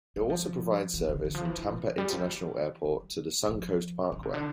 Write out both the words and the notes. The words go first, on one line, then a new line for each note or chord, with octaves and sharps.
It also provides service from Tampa International Airport to the Suncoast Parkway.
G3
F3
E3
D3
E3
F3
E3
E3
G3
F3
E3
G3
F3
D3
C3
D3